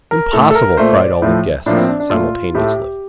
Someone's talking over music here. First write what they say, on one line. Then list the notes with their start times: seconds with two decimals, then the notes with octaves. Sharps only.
"Impossible!" cried all the guests simultaneously.
0.11 A#4
0.33 A2 A3 A4
0.51 A4
0.55 A#4
0.77 A#2 A3 C5
1.00 D5
1.22 A2 F3 A3
1.66 A2 F3 A#3 D4
1.77 C4
1.88 D4
2.00 D4
2.10 A#2 A3 F4
2.55 A2 A3 G4